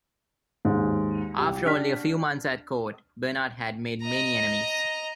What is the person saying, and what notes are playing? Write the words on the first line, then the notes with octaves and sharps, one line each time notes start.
After only a few months at court, Bernard had made many enemies.
D#2 G#2
C2 G4
D4 F6 B6
D#5 A#5